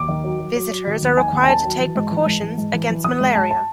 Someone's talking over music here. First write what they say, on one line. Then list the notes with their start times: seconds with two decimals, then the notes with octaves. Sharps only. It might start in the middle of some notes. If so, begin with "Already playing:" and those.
Visitors are required to take precautions against malaria.
Already playing: D#2 D6
0.08 D#3
0.24 F#3
0.40 F#3
0.56 F#3
0.71 F#3
0.87 D#3
1.02 D#2
1.17 D#3 G#5
1.33 D#2
1.44 G#5
1.49 D#3 A5
1.64 F#3
1.80 E3
1.95 G#2
2.11 E3
2.26 G#2
2.42 E3
2.58 G#2
2.73 E3
2.89 E3
3.04 E3 D#6
3.20 G#2
3.35 G#2 A5
3.51 A5